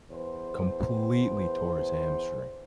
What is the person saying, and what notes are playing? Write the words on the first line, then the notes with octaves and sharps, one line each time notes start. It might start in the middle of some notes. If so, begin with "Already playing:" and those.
completely tore his hamstring.
E2 B4 C5